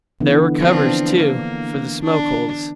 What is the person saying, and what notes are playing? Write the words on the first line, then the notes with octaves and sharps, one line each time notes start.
There were covers, too, for the smoke-holes.
D3 E3 B3
F3 C4 D4
A#3
D4